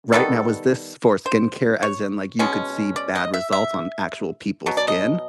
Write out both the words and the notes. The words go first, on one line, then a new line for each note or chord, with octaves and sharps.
Right now, was this for skincare as in, like, you could see bad results on actual people's skin?
D#3 G3 B3 A4
C5
C#5
B2 G#3 C#4
D5
D#5
E5
E5
B2 F#3
D5
D#5